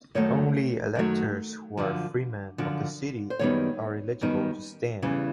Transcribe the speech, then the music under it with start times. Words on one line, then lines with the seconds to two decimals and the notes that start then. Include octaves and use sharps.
Only electors who are Freemen of the City are eligible to stand.
0.15 F#2 D#3 F#3 A3 C#5
0.95 F#2 D#3 F#3 A3
1.77 F#2 D3 F3
2.58 F#2 D3 F3
3.30 C5
3.39 F#2 D#3 G3 B3 D#4 C#5
4.21 F#2 D#3 G3 B3 D#4
5.02 E2 C#3 E3 G3